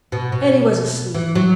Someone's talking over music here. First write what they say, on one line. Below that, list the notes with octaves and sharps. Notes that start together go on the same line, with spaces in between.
Elly was asleep.
B2
B2
E3
F#3